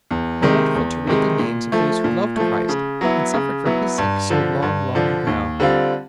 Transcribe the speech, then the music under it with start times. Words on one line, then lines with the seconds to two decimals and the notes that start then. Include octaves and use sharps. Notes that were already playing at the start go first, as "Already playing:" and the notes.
How wonderful to read the names of those who loved Christ and suffered for His sake so long, long ago!
0.11 E2
0.42 C3 D#3 G#3
0.75 E2
1.07 C3 D#3 G#3
1.39 A#2
1.72 F3 A3
2.04 A#2
2.36 F3 A3
2.69 C#3
3.01 F#3 B3 E4
3.34 C#3
3.65 F#3 B3 E4
3.98 G2
4.30 D3 F3
4.62 G2
4.95 D3 F3
5.27 D#2
5.60 D3 G3 C4 F4